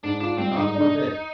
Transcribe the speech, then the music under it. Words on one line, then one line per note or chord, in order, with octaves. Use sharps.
God forbid.
G#2 D4
D4 F4
G3 C4
G#2 D#4
D4